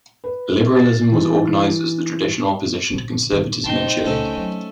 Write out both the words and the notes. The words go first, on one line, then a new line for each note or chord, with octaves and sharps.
Liberalism was organized as the traditional opposition to conservatism in Chile.
B4
A6
E3
A#1 D3
D#3
A#1 C4 D#4 G5 A5 C6
C#2 A3 C#4 A4
F#3